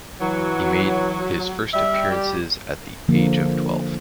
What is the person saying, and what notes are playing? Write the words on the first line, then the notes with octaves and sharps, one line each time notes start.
He made his first appearances at the age of twelve.
E3 F#3
G3 E5
G4
D3 F3 A#3